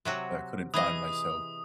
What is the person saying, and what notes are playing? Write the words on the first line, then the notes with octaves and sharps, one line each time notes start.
uh, couldn't find myself
C3 F#3 F#4
E3 G#4 D#5 D#6